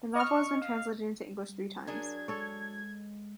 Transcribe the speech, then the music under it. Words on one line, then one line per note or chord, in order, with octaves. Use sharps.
The novel has been translated into English three times.
D#5 C#6 F6
F5
G3
F#3 D4 G#4 A#4 G#6
G#3 A4 C#5